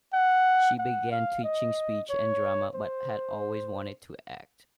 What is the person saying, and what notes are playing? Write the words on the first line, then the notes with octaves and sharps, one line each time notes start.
She began teaching speech and drama, but had always wanted to act.
F#5
F#5
F5
D#5
C#5
C5